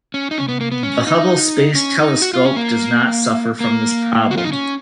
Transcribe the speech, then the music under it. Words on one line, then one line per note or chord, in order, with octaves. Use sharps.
The Hubble Space Telescope does not suffer from this problem.
C#4
D#4
C#4
B3
A#3
B3
C#4
D#4
C#4
D#4
F#4
F4
C#4
A#3
A#3
F#4
F4
D#4
C#4